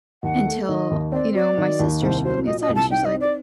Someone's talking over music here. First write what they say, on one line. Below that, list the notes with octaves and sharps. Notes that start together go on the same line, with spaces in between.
Until, you know, my sister, she put me aside and she's like,
D#2 F#5
A3
D#3 D#5
D#2
C4 D5
F#3 D5
D#3
D#2
C2 C5
F#3 C5
A#2 D#5
D#5
C2
A5
D#4 G5
D#5
C4
D5